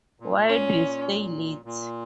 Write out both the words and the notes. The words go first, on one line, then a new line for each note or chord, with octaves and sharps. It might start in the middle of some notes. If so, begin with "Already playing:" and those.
Why'd you stay late?
A#2
C#4
A#2